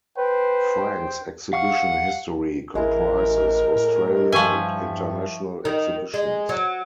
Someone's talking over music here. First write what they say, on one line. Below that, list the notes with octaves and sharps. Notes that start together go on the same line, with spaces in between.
Frank's exhibition history comprises Australian and international exhibitions.
B4 C5 G5
F5 F#5 C#6 F6
A1 G#3 E4 A#4
A2
G2 F3 E5 G5 G#5 C#6
D#3
G#3
F#3